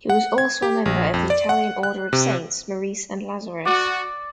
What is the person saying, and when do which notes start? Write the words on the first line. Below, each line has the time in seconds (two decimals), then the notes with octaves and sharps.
He was also a member of the Italian Order of Saints Maurice and Lazarus.
0.10 F#5
0.38 G#6
0.62 G4
0.86 A#1
1.14 F2
1.30 D5
1.49 F#5
1.83 F#6
2.13 C3
3.65 F#4 D5